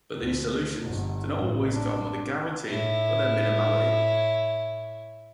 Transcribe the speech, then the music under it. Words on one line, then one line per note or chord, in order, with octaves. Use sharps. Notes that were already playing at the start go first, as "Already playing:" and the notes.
But these solutions do not always come with a guarantee of their minimality.
D2
G1 G#2
A1
D4
A2 E4 C#5